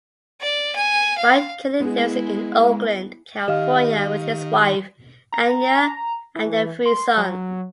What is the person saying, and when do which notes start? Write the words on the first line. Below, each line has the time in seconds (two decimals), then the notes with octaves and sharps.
Wright currently lives in Oakland, California with his wife, Anya, and their three sons.
0.41 D5
0.76 G#5
1.18 F5
1.80 G#3 B3 E4 G#4
3.48 D#3 G4 D#5 F5 F6
5.32 A#5
6.36 E3
6.86 C6
7.17 F#3